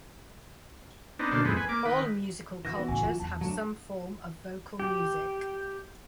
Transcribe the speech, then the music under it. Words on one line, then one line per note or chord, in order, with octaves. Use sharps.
All musical cultures have some form of vocal music.
B3 C4 D4 D#4
B2 D3 A#3 D4 C5
F2 A2 G#3 B3 C4
B4 G#5
A#3 D6
D#3 B4
E3 F#4 A#6
B3 D#4 B4
A2 C#3 G#5
F#3 F4
E2 A5
F#3 A3 D4
G4